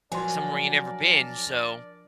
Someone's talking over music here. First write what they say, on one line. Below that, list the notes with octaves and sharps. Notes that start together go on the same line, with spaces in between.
somewhere you never been, so
F3 F#3 D4 A#4 D5 G#5 C6